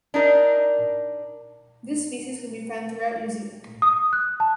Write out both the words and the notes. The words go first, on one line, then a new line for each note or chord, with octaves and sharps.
This species can be found throughout New Zealand.
D4 D#4 A#4
D#6
F#6
A5